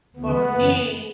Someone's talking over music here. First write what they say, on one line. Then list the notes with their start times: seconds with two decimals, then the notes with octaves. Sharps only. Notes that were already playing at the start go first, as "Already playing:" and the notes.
for me,
0.16 D2 C#3 E3 B3
0.53 F#2 C#3 E3